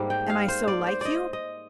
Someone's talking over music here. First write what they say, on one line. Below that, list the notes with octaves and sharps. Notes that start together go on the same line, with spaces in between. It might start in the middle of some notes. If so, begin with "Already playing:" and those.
"Am I so like you?"
Already playing: G#2 G3 A#3
G5
F5
C5
D5
C5
D5 D#5
D#5